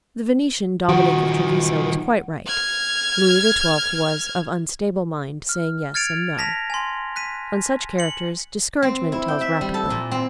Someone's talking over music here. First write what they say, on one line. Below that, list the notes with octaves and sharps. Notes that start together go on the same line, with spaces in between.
The Venetian, Dominic of Treviso, was quite right; Louis XII. was "of unstable mind, saying yes and no." On such characters discouragement tells rapidly.
D#3 F3 F#4
F6 G#6
F6
F6 G#6 A6 C#7 D7 F7
A5 A#6 B6 F7
G#5 C6
F#6 B6 D#7
C#7 F#7
C4
E4
G5
E5
G3
A4
A#2
C4